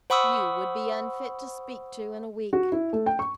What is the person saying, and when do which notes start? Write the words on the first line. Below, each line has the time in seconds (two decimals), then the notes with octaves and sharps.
You would be unfit to speak to in a week.
0.10 C5 F#5 B5 C#6 D#6 E6
2.53 F#4
2.72 E4
2.93 A3
3.06 G5
3.19 C#6